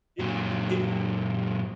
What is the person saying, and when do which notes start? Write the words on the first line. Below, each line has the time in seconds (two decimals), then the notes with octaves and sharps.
Did did di
0.19 F#2 A#2